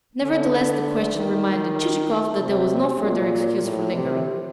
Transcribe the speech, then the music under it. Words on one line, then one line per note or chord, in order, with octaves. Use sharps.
Nevertheless the question reminded Chichikov that there was no further excuse for lingering.
D3
D#3
C3
A#2
A2
C3